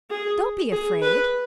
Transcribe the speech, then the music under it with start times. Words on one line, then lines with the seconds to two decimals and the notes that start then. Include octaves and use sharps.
Don't be afraid.
0.10 G#4
0.72 G#4
1.02 B4